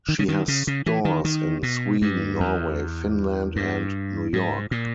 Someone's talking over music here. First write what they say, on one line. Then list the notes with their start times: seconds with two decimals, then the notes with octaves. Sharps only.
She has stores in Sweden, Norway, Finland and New York.
0.09 D#3
0.19 C#3
0.28 D#3
0.48 C#3
0.67 C#3
0.86 E3
1.05 D#3
1.25 D#3
1.63 B2
2.02 G2
2.40 E2
3.56 G2
4.33 G#2
4.71 A#2